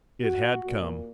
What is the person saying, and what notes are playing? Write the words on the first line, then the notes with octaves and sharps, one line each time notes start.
It had come!
F#4
A#2